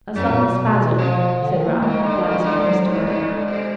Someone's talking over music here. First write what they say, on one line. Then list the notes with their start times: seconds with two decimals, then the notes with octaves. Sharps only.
'A sudden spasm,' said Ralph, glancing at Mr Bray.
0.16 F#2 F#3
0.29 A#2
0.43 B2
0.98 F3
1.41 D3
1.55 D#3
1.68 A#3
1.82 D#3 G#3
2.03 D3
2.23 D#3
2.44 D3
2.65 B2 F#3
2.85 G#2 G#3
3.06 G#2 G#3
3.27 D3
3.48 B2